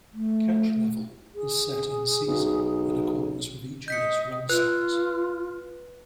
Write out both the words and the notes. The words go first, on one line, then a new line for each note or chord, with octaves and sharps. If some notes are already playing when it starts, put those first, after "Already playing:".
Catch level is set in-season in accordance with each year's run size.
A3
G#4
B1
D#5 G6 B6 C#7
F4 B4 F#6